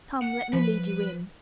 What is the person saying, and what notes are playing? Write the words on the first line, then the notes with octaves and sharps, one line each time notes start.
Come, let me lead you in.
F#5
F3 B4